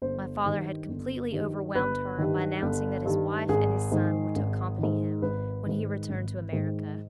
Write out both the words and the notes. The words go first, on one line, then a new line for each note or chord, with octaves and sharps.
My father had completely overwhelmed her by announcing that his wife and his son were to accompany him, when he returned to America.
G1 C5
G2 D#3
G1
G2 D#3
G1 B4
G2 D#3
G1
G2 D#3
G#1 G#4
G#2 D#3
G#1
G#2 D#3
G#1 B4
G#2 D#3
G#1
G#2 D#3